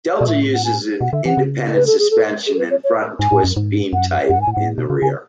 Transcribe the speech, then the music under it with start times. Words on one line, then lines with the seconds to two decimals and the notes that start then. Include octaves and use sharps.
Delta uses an independent suspension in front and Twist beam type in the rear.
0.10 C#5
0.19 B2 D5
0.27 A2 E5
0.55 F#5
0.65 G#5
1.01 B2 F#5
1.13 D3 E5
1.25 E3 F#5
1.37 C#3
1.74 B4
1.87 A4
1.99 G#4
2.10 A4
2.47 G#4
2.54 A4
2.58 B4
2.71 C#5
2.84 C#5
3.19 G#2 G#5
3.32 A2
3.44 F#2
3.57 G#2
3.93 F#2 F#5
4.30 F#2 F#5
4.38 G#2
4.42 G#5
4.47 A2
4.53 G#2 F#5
4.66 A2
4.78 B2
4.90 C#3
5.02 C#3 G#5